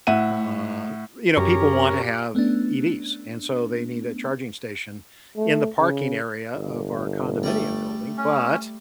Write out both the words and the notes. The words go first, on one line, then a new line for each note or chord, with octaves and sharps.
uh you know, people want to have EVs, and so they need a charging station in the parking area of our condominium building, but
A2 E5 F#5 D#7
F#2 C#4 G4 A#4
A3 B3 C#4 D4
A3
C#3
G1
G3 A3
C#4